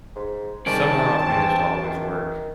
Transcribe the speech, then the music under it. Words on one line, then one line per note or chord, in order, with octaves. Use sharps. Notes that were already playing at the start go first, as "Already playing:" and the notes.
somehow managed to always work,
G#2
G#2 C3 D#3 G3 C#4 D5 A5
E2 C4
D#3